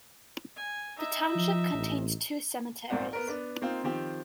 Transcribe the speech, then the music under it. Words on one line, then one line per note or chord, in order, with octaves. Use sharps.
The township contains two cemeteries.
G#5
D#4 E5
F3
A1
A#1 G#2 A#3 C4 D5 F#5
B3 A#4
B3 D4
A#3 C4 D#4 F4
D#3 F3 C4 G4